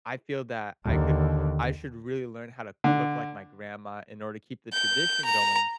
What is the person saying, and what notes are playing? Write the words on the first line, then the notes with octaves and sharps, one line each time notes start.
I feel that I could r I should really learn how to cook like my grandma in order to keep the tradition going
D#2 D3
D3
G6
A#5